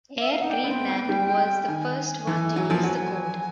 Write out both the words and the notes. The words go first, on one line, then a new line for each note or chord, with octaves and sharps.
Air Greenland was the first one to use the code.
E5
F5
D#4 F#5
D4 G5
B3
C4
B3
G3
D#3 G#5
E3
F#3
F3
F#3